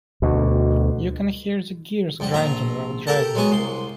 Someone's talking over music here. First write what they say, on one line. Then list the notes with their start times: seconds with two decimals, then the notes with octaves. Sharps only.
You can hear the gears grinding while driving.
0.22 D2 B2
2.20 F2 G3 F#5
2.34 A#1 F4 E5 A#5
3.07 G4 A4 A#4 F#5 A5
3.35 F#3 G#3 B3 G#5 C#6
3.52 C2 C6